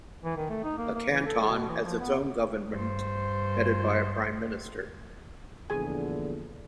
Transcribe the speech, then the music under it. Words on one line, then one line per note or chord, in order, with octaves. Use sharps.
A canton has its own government headed by a prime minister.
E3
D#3
A3
D#4
A#3
A#3
E3
A4
B2
E3
F3
B3
G2 C5
A#1 E2 D3 G#4 G#5